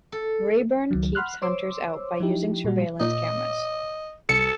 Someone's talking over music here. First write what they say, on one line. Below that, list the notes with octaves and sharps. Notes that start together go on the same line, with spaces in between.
Rayburn keeps hunters out by using surveillance cameras.
A4
C#2 D#3 F#3
F#5 B5 C6 F6 F#6
C5 C#5 C6 D6 E6
F3 D#4 E4 G4
A#2 G3 F#4
A#2 D#5
C2 A4 C#7